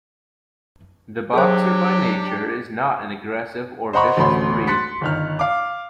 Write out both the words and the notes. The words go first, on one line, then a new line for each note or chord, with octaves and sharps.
The Boxer by nature is not an aggressive or vicious breed.
F#3 D4 G4 G#4 A#4 C5
C5 D#5 F#5 A#5 B5 C#6
A1 D2 A3 C#4 B5 C6
C6 F#6 A6 B6 C#7
G1 D#3 F6
F5 D6